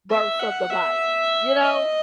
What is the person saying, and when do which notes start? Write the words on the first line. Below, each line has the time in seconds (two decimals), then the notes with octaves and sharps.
verse of the Bible, you know?
0.10 E5
0.40 F#5
0.71 E5
1.61 D#5